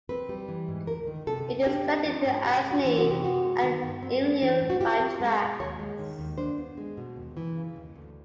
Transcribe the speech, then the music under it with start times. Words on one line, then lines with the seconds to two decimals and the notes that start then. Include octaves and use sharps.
It is connected to Asni and Imlil by tracks.
0.09 C4 B4
0.29 G3
0.48 E3
0.68 G#2
0.87 D2 A#4
1.07 D#3
1.27 C3 A4
1.47 D2
1.66 D4 G4
1.86 A#3
2.06 F3
2.25 G#2
2.45 C3 G4
2.65 G#3
2.71 F#4
2.85 E3
2.98 F#4
3.04 C3
3.11 G4
3.23 C4 F#4
3.43 G#3
3.63 D#3
3.83 G2
4.03 C4
4.22 A3
4.42 E3
4.61 A2
4.70 F#4
4.81 F4 G4
5.00 C4
5.20 G#3
5.40 B2
5.60 D#2 C#5
5.79 G#3
5.99 D#3
6.19 D#2
6.38 D4 C5
6.58 B3
6.77 G#3
6.97 B2
7.16 D#2
7.37 E3
7.55 C#3
7.76 D#2
7.96 D2